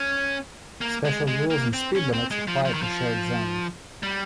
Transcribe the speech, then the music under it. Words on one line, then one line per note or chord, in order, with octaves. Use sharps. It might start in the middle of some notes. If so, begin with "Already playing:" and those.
Special rules and speed limits apply for shared zones.
Already playing: C#4
A#3
G#3
G#3
A#3
C4
C#4
C4
G#3
F3
F3
D#3
F3
G3